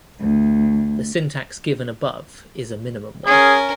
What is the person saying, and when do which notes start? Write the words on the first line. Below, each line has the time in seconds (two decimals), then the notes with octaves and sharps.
The syntax given above is a minimal one.
0.21 D2
3.27 C#4 G#4 A#4